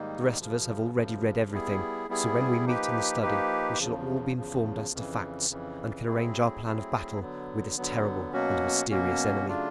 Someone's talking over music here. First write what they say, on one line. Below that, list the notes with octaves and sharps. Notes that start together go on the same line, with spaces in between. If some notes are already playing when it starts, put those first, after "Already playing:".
The rest of us have already read everything; so when we meet in the study we shall all be informed as to facts, and can arrange our plan of battle with this terrible and mysterious enemy.
Already playing: G#2 D#3 G3 A#3 D#4
F#2 C#3 F3
F#2 C#3 F3
G3 B3 E4 G#4
G3 B3 E4 G#4
F3 A#3 D#4 G4 B4
F3 A#3 D#4 G4 B4
E2 C#3 F3
E2 C#3 F3
F2 C#3 E3
F2 C#3 E3
F#3 A3 C4 E4 G#4
F#3 A3 C4 E4 G#4
D3 F#3 B3
D3 F#3 B3
B2 F#3 A#3 C#4 F#4
B2 F#3 A#3 C#4 F#4
C#3 F#3 A3 D4 F4